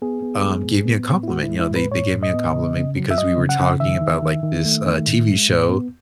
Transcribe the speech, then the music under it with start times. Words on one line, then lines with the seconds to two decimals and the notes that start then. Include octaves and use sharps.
um, gave me a compliment. You know, they they gave me a compliment because we were talking about, like, this, uh, TV show
0.02 B3 G#4
0.22 B3
0.43 G#3
0.65 A2
0.85 B3
1.07 A2
1.23 E4
1.28 G#3 F#4
1.43 E4
1.49 G#3
1.59 E4
1.70 A2
1.76 B4
1.91 A2 C#5
2.13 A2
2.23 D#5
2.34 B3
2.54 C#3
2.76 C#3
2.96 F#3
3.11 E5
3.17 F#3 D#5
3.38 C#3
3.49 F#5
3.60 C#3
3.80 D#3 E5
4.01 D#3
4.23 D#3
4.43 D#3
4.65 A3
4.86 D#3
5.07 A2
5.28 G#3
5.49 A2
5.69 B3